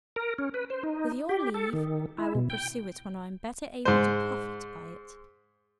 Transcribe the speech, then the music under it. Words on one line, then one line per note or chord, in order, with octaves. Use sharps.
With your leave, I will pursue it when I am better able to profit by it.
A#4
C#4
B4
C5
D#4
G4
A4
D#3
E4
B2
G5
G#2 C5